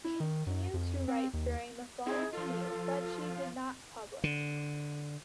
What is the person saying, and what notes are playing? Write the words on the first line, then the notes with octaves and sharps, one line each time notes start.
She continued to write during the following years, but she did not publish.
E4
D#3
F#2
F2
C4
D#2
C4 D#4 E4 G#4
F3 F4 A4
D3